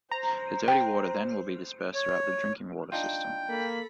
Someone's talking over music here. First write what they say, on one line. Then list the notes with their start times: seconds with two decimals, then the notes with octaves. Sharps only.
The dirty water then will be dispersed throughout the drinking water system.
0.11 C5 A#5
0.68 G5
1.95 C#5
2.92 D4 D#4 F4 G5
3.49 A#3 A4 B5